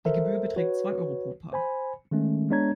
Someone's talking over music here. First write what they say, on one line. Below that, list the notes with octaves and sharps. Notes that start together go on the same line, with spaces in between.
Die Gebühr beträgt zwei Euro pro Paar.
A4 A#4 C5 E5
F#4 B4 C#5
C5 G#5 B5
D#3 G#3 A3 C#4
G#3 B3 D4 C#5 A#5 G#6